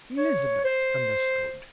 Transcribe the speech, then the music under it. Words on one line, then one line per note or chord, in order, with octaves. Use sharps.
Elizabeth understood.
C#5
C5